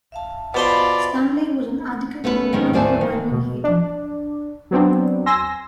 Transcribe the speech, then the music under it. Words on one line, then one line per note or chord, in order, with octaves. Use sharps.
Stanley was an adequate but not overwhelming hitter.
E5 F5 A5
B2 F4 C5 D5 B5 C6
A3 B3 C#4 E4 B4
G#2 D#3 C#4
D#2 A2 C5 D5 G#5 A5
D#3
B2
D4
F#3 B3 C4 D4
G#5 C6 E6 A#6